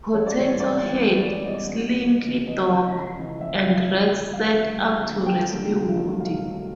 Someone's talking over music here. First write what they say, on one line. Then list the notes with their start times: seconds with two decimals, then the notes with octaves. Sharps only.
Potato Head, Slinky Dog, and Rex set out to rescue Woody.
0.14 A1 C#5
0.26 D5
0.37 G#2 E3 G3 B3 C#5
0.60 A1 D5
0.84 G#2 E3 G3 B3
1.07 A1
1.30 G#2 E3 G3 B3
1.45 D#5
1.54 A1 D5
1.77 G#2 E3 G3 B3
2.00 F2
2.23 C#3 E3
2.47 F2 D#5
2.70 C#3 E3
2.94 F2
3.17 C#3 E3
3.40 F2 E5
3.63 C#3 E3 F5
3.87 F2
4.10 D3 G3 A#3
4.33 F2 F5
4.57 D3 G3 A#3
4.80 F2
5.03 D3 G3 A#3
5.26 F2 G5
5.50 D3 G3 A#3
5.73 C2
5.96 C3 D#3 F#3 A3
6.20 C2 F5
6.43 C3 D#3 F#3 A3